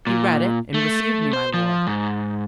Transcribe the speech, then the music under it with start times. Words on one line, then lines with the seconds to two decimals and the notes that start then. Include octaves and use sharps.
"He read it, and received me, my lord."
0.07 A#2
0.74 A3
1.33 C5
1.54 F3
1.87 G#2